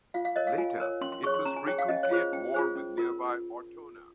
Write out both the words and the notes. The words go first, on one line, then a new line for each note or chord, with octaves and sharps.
Later it was frequently at war with nearby Ortona.
F4 F5
F5
A#4 C#5 D#5
F5
F4 G#5
A#4 C#5
C#4 C6
C6
G#4 C#5 C#6
C6
C#4 A#5
G#5
G#4 C#5 G5
F5
C#4 D#5
C#5
F4 G#4 C5
C#4 G5
F4 G#4 C5
C#4
F4 A#4